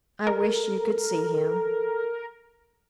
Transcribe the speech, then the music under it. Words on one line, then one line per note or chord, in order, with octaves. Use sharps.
I wish you could see him!
A4 A#4